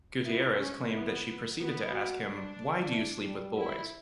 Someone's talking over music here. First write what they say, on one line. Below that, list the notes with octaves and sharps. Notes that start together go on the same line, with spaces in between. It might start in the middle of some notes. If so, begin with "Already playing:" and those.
Gutierrez claimed that she proceeded to ask him Why do you sleep with boys?
B3 E4
C#4
B3 E4
B3 F#4
F#4
D4
E4
G3
E4